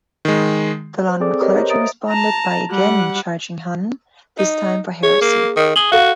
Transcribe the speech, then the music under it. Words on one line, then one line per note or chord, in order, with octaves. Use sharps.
The London clergy responded by again charging Hunne, this time for heresy.
D#3 G#3
C5
C4 G#4 A4 D5 D6
G4 A#4 B4 C#5 D#5
C5 D#5 A#5
E5 A#5 D#6 A6 D7
A5 A#5
G3 F#5
D#4
G#4 C#5
A#3
D#3
G#4 F#7 G7
F#4 A4 F5